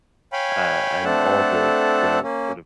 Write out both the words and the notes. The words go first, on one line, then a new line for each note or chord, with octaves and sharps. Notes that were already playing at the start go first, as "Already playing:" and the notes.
uh, and all the the sort of
C#5 F5 G5 G#5 B5
A3 C4 D4 A4 F#5 A5
A#3 C#4